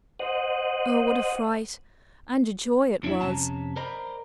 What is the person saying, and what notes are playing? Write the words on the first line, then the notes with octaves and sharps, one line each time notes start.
Oh, what a fright and a joy it was!
C5 D#5 F#5
F2 D4 E4 C#5 E5
F2 C3 C#4 A5 A#5
A#4 C5 D5 D#5 A#5 B5